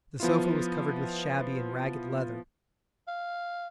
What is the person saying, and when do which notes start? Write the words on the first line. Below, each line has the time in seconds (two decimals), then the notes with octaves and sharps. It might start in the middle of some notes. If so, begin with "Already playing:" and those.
The sofa was covered with shabby and ragged leather.
0.20 F3 B3 E4 F4
3.08 F5